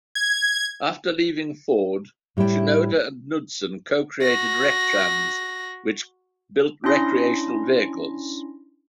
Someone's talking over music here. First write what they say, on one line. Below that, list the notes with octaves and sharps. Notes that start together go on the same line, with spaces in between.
After leaving Ford, Shinoda and Knudsen co-created Rectrans, which built recreational vehicles.
G#6
A2 G3 A3 E4 G5
F#4 A#6
C#4 D4 E4 C6 A#6